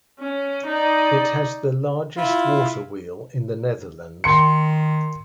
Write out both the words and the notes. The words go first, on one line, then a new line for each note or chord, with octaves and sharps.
It has the largest water wheel in the Netherlands.
C#4
D#4 D5
E4 F4
D#3 C6 C#7